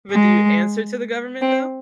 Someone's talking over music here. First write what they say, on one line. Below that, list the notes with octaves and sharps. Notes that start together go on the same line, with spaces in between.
But do you answer to the government though?
G#3
C4